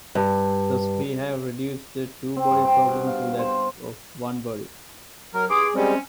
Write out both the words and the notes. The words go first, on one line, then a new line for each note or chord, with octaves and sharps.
Thus we have reduced the two-body problem to that of one body.
G2
C4
G2
G5
B2
F5
C5
F#3 A#4
G2 G#4 C6 D6
G3 G#3 C4 C#4